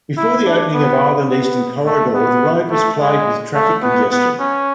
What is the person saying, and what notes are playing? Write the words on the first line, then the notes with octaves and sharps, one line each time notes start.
Before the opening of Island Eastern Corridor, the road was plagued with traffic congestion.
E4
D4
B3
B3
A3
B3
A3
G#3
A3
B3
B3
C#4